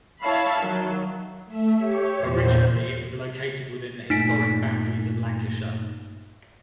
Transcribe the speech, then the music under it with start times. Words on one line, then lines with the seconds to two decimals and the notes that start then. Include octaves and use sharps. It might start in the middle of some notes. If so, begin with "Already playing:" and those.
Originally, it was Located within the historic boundaries of Lancashire.
0.20 E4 C#5 E5 F5 A5 B5
0.59 D#3 F#3
1.45 A3 E5
1.77 G4 C#5
2.16 E2 A#2 C5
4.10 G2 A#2 A3 D#4 B6 D7